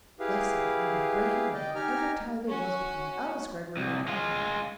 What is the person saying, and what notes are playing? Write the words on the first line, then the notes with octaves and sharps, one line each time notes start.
Thus had come the breaking of whatever tie there was between Alice Greggory and Arkwright.
E4 G4 G#4 B4 F5
D5 D#5 G5
D#4 G4 G#5 A#5 F6
C#4 F#4
C2
G#3 F4